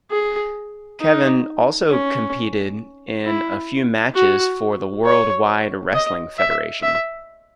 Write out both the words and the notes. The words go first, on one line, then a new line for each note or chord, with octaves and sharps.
Kevin also competed in a few matches for the World Wide Wrestling Federation.
G#4
D#4
C#4
E4
F#4
C#5
D#5
E5
E5